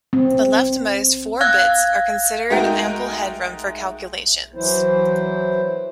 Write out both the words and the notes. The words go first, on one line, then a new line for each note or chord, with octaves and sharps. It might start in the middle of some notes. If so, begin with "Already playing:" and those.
The leftmost four bits are considered ample headroom for calculations.
C4
F5 E6 F#6 G#6 A#6
G#3 A3 D#4 F#4 A#4 G5
E3 F#3 E4 C5